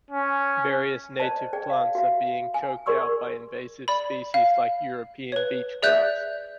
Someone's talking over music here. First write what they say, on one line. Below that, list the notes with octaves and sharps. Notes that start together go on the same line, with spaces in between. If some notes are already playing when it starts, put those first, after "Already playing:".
Various native plants are being choked out by invasive species like European beach grass.
C#4
C5 D5 D#5 A5
G#4 D5 G5
F5
F#4 E5 F5
G#5
G#4 A#4 D5 C6 C#6 E6
D5 B5
F5
B4 C#5
G#4 D5 E5 F#6 G6